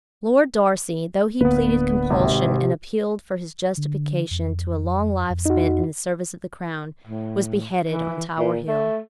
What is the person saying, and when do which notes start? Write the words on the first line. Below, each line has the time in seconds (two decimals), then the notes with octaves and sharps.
Lord Darcy, though he pleaded compulsion, and appealed for his justification to a long life spent in the service of the crown, was beheaded on Tower Hill.
1.41 D1 D3 A#3 B3 B4
2.10 G#1 C3
3.77 D3
4.31 F2
5.30 F2
5.46 D#4 F#4
7.07 A2
7.89 E3
8.38 A#2
8.68 A3